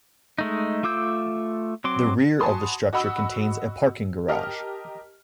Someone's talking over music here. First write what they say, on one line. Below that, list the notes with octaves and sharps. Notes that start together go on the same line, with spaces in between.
The rear of the structure contains a parking garage.
G#3 A3 D#4
A3 F4 D6 E6 G6
F#3 C4 C6 D6
F#4 G#5 A5 B5 C6 D#6
F#4 D#5 F#5 B5 E6
G4 A#4 D#5 A5 F6